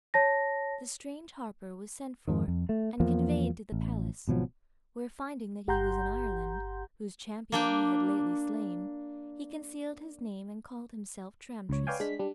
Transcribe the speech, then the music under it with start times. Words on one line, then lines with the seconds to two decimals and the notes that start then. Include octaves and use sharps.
The strange harper was sent for, and conveyed to the palace, where, finding that he was in Ireland, whose champion he had lately slain, he concealed his name, and called himself Tramtris.
0.14 C#5 A5 A#6
2.28 F2 G#2 D#3
2.48 F2
2.69 A3
3.00 E2 F3 A#3 B3
3.72 A1
4.27 G#1 B2 F3 F#3
5.67 G1 G4 F#5 A#5 C6 G6
7.52 A#3 D4 G5
11.69 C#2 C#5
11.87 B4 C#5 D5 F5 G5 G#5
12.00 G#3 D4 B6
12.19 G3 D4